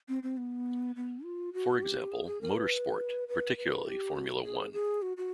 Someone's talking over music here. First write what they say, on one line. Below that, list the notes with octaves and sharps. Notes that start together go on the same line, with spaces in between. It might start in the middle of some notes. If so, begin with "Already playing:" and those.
For example, motorsport, particularly Formula One.
C4
C4
B3
B3
F4
F#4
G4
G#4
G#4
A#4
B4
B4
B4
G4
F#4
G4
G#4
G#4
F#4
F#4